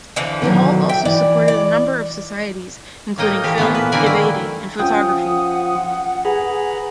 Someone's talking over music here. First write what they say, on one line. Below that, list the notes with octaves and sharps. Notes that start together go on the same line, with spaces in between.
The hall also supported a number of societies including film, debating and photography.
D3 E3 F3
B2 D#3 F#3
E5 G5
E3 D5
D5
A2 A#3 D#4 D#5 G5
E3 A3 G4
A#2 E3 F3 B3
B4
D3 E3 A#3 D5 G#5
D#3 A3 E4
F3 C#4 F4 F#5 G5 D#6
G#4 B4 A#5 B5